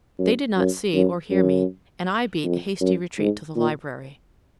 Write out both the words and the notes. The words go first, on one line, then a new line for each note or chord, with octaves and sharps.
They did not see or hear me, and I beat a hasty retreat to the library.
F#2
F#2
F#2
F#2
F2
F#2
G#2
A#2